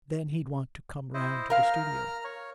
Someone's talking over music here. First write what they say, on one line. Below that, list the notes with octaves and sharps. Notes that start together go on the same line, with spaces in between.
'Then he'd want to come round to the studio.
E4 C5 D#5
A#4 F5 A#5 F6
C#5